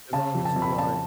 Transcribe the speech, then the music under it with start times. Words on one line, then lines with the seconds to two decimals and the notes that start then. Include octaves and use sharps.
as long as you like
0.13 C#3 A5
0.35 F2
0.45 A5
0.56 F2
0.62 B5
0.73 B5
0.78 C#3 A5